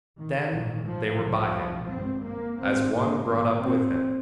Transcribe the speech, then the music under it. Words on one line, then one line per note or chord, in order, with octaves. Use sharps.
Then they were by him, as one brought up with him.
D#3
A#1 G#2
F3
C2 C3 F3
G#1 G2 C4
A#3
G#1 G#2 C4
A#3
G#1 G#2 A#3
C4